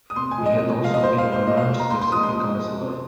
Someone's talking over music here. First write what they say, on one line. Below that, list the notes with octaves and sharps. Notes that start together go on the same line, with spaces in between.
He had also been a Manchester City Councillor.
D#6
C3 C6
G#5
F3 G#3
D#5
C3
F3 G#3 F5
D#5
A#2 C5
F5
G#3
C5
A#2 D#5
F5
G#3
A#5
A#2 C6
C6
F3 G#3 D#6
C6
A#2
F3 G#3
C3